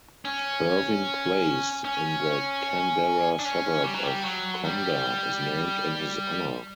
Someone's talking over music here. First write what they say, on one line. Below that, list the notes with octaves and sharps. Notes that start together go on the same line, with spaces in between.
Ervin Place in the Canberra suburb of Conder is named in his honour.
C#4
C#4
D4
C#4
G3
F#3
G3
F#3
G3